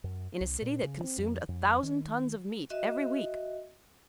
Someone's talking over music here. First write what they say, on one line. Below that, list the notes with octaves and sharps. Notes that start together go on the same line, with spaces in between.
In a city that consumed a thousand tons of meat every week!
F#2
C2
A#2
C#3
C4
F2
F2
D#3
F#4 D#5 E5